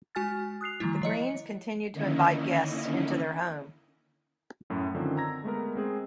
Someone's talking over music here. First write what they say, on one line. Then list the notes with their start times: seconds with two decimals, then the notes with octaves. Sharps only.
The Greens continued to invite guests into their home.
0.15 G#3 F#4 G#5 F6 A6
0.61 D#6 F#6 C7 F7
0.80 D#3 F3 G3 A3 E4
1.02 F3 C#5 D#5 C#7
1.92 D3 D#3 A#3 C#4 D#4 E4
4.70 F#2 A2 F#3
4.95 D3 D#3 F3 C4 C#4
5.17 A#5 E6 G#6 A#6
5.44 G#3 A3 B3 A#4
5.75 G#3 C4 G#4